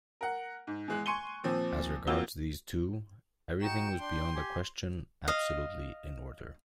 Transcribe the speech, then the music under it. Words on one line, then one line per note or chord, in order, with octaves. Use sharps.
As regards these two, everything was beyond a question absolutely in order.
A#4 F#5
G#2
E2 G#3 F#6
G#5 C6 C#6 C#7 D#7 G7
A#2 F3 C4
F2 A#3 F4 F#4 E6 G7
D#4 F#4 G5 G6 C#7 E7
D4 C6
G4 G#5
D#5 F5